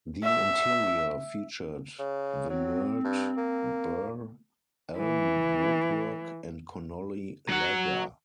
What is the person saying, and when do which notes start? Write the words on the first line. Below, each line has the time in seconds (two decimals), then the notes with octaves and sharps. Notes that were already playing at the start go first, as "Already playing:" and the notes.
The interior featured veneered burr elm woodwork and Connolly leather.
0.24 E5
1.99 C#3
2.50 F#3 C4
3.04 G2
3.37 A#3
4.98 E3
7.50 F#3 F#5